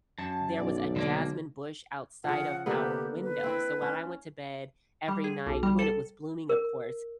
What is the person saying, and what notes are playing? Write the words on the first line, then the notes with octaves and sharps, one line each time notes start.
There was a jasmine bush outside of our window, so when I went to bed every night, when it was blooming of course,
F#2 A5
B1 D5
B2 D3 G#3 A#3
C#3 F3 F#5
D3 A#3 B3 G4
B4
C4 E4
C#4
G3
G#4
B1
G3
A4
A#4